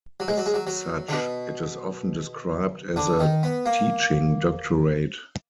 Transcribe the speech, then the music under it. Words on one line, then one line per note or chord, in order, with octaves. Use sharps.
As such, it is often described as a "teaching doctorate".
F#3
G#3
F#3
G#3
F#3
F#3
D3
B2
D3
D#3
B3
A#3